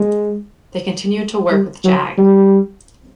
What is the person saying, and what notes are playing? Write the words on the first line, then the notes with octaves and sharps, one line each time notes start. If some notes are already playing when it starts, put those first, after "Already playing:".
They continue to work with Jag.
Already playing: G#3
G3
F#3
G3